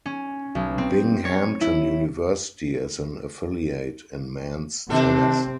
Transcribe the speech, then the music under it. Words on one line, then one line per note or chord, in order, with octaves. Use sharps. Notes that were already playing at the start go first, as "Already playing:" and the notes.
Binghamton University is an affiliate in men's tennis.
C#4
B1
C4
C#5
E4
C3 D#3 C4 D4 A4